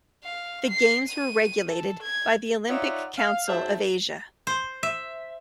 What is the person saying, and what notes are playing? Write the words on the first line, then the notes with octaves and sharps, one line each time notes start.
The games were regulated by the Olympic Council of Asia.
F5
C7
D#7
A4
G#6
D#4 F4 C#5 D5 E5 F#5
F5
G#2 F#3 C5 E5 A5
C5
E5